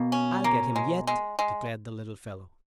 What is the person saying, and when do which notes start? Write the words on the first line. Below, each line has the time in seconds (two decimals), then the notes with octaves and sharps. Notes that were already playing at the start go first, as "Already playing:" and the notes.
"I'll get him yet," declared the little fellow.
Already playing: B2 A#3
0.12 C#4
0.44 A#3
0.76 G#3
1.07 G#3
1.39 G#3